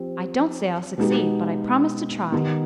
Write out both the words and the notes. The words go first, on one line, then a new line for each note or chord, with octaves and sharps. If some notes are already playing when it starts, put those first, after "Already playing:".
I don't say I'll succeed, but I promise to try.
Already playing: F3 C4 G4
B2 G#3 B3 D#4 G4
D#3 B3 D#4 G4